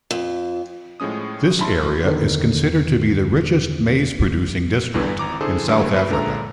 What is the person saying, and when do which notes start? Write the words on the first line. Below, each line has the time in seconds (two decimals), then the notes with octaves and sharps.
This area is considered to be the richest maize-producing district in South Africa.
0.11 F2
1.00 A2 F3 G#3 C#4 D#6
1.59 A1 F#3 E4 A5 B5 C6
2.03 E2 D3 D#3
4.94 E2 G2 D3 E3
5.19 G#1 A#5 D6
5.41 D3 E4 G#4 A4 C5
5.68 A2 D3 E3 G3 A#3
5.93 F#2 B4
6.09 A#2 D3 G#3 A4 A#5